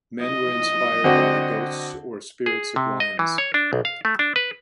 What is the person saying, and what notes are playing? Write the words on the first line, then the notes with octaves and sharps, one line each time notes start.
Men were inspired by the ghosts or spirits of lions.
D#5
D3 C4 F#4
G#4
C3
D#5
E3
C#5
D4
B1
F5
A3
D4
B4